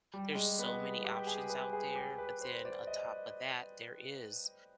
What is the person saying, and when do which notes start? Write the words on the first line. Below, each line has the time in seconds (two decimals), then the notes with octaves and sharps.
There's so many options out there, but then on top of that, there is
0.14 G3
0.35 G#3
0.59 B3
1.04 G4
1.27 G#4
1.50 B4
1.73 G#4
1.95 G4
2.18 B4
2.41 C5
2.65 D5
2.87 D#5